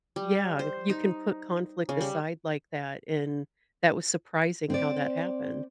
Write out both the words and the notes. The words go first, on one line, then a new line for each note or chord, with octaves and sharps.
yeah, you can put conflict aside like that, and that was surprising how that happened.
G3
C5
D#4
C#3
G3
C4 C5 D5